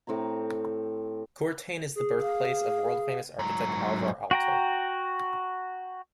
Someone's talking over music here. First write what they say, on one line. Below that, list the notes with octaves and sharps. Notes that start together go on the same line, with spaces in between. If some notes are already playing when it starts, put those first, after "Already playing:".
Kuortane is the birthplace of world-famous architect Alvar Aalto.
A2 C4 G4 A#5
G#4
F5
G#2 F#3
F#4 G5 A#5